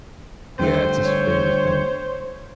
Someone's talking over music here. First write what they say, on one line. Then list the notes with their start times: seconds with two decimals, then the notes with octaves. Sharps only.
Yeah, it's his favorite thing.
0.59 G2 D3 A3 C5
1.03 C#5